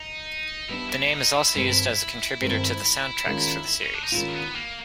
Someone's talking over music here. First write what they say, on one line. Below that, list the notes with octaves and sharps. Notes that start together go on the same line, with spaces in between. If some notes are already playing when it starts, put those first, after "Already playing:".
The name is also used as a contributor to the soundtracks for the series.
Already playing: D#4
G3 B3 D4 E4
E4
D#4
E4
G2 D#3 G#3 C4 E4
G2 D#3 G#3 C4
D#3 G#3 C#4 F4
C#4
D4
D#4
D#3 G#3 C#4 E4 F4
A#3
B3
A#3